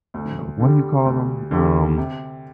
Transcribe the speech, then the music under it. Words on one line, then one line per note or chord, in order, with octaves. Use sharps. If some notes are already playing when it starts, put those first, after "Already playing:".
you know, what do you call them, um
D2
D3 G3
D2
D3 G3
C3